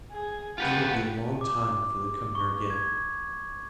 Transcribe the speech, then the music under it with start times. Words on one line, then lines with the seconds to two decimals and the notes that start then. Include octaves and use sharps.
It will be a long time before they come here again.
0.12 G#4
0.58 F4 G4 B4 F#5
1.41 D6
2.35 C#6
2.70 G#6